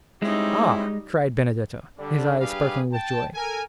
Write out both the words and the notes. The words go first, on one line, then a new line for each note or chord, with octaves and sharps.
"Ah," cried Benedetto, his eyes sparkling with joy.
G3 G#3 C4 C#4 D#4 E4
D3 G3 D4
G3 D4 G4 G#4 B4 F5
G5 A5
A4 A#4 G#5